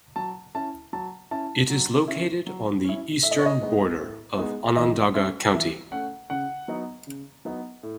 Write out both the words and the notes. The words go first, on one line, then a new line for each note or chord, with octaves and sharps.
It is located on the eastern border of Onondaga County.
F#3 A5
C#4 E4 A5
F#3 A5
C#4 E4 A5
F#3
C#4 E4
F#3
C#4 E4
A2 E5
D#5
C#5
D#5
G#3 B3 D#4
A2
G#3 B3 D#4
E3 D#5
A3 C#4 E5
E3 E5
A3 C#4 F#5
C#3 F#5
F#3 B3 D#4
C#3
F#3 B3 D#4
A2